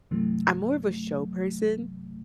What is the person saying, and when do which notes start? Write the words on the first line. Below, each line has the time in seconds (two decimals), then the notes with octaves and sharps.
I'm more of a show person
0.11 G2 C3 E3 F#3 A3